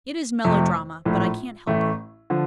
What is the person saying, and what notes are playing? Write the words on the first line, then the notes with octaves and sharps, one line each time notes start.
It is melodrama; but I can't help it.
F2 C3 F3 A3
A#1 A2 A3
A1 A2 A3
D3 F3